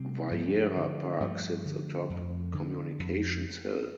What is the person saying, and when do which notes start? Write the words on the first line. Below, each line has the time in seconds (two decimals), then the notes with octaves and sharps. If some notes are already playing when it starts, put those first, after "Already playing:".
Vieira Park sits atop Communications Hill.
Already playing: C3 G3 C4
0.31 G2 F3 A3
0.76 D3
1.20 G2 F3 A3
1.65 D3
2.10 F2
2.54 D3
2.99 F2